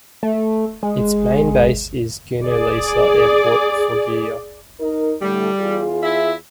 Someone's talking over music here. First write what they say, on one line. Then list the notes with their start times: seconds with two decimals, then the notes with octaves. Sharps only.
Its main base is Gino Lisa Airport, Foggia.
0.23 A3
0.83 G#3
2.44 G#4 D5
4.80 D#4 A#4
5.22 A2 D3 G3 A3
5.60 E2 F4 G#4
6.03 E4 E5